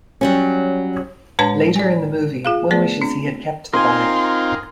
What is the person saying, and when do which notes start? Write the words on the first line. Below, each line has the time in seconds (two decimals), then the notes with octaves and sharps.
Later in the movie, one wishes he had kept the bag.
0.21 F#3 G3 C#4
1.39 A2 G#3 D4 B4 C#5 A5
1.76 D5 G#5
2.45 F4 G#4 F5
2.71 A3 B3 G#4 B4 D5
3.01 C4 D4
3.74 C4 D#4 F4 A#4 G#5 C6